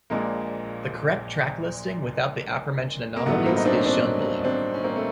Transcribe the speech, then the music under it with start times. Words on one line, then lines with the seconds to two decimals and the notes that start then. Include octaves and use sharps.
The correct track listing, without the aforementioned anomalies, is shown below.
0.10 A#1 A#2 F3 G#3 A#3
3.16 A#3
3.26 A1 G2 D#3 F#3 A3 B3
3.46 A#3 C4
3.57 D#4
3.65 C4 D4
3.75 C#4
3.86 C4 D4
4.44 C4 D4
4.74 C#4
4.84 A#3 C4
4.96 A3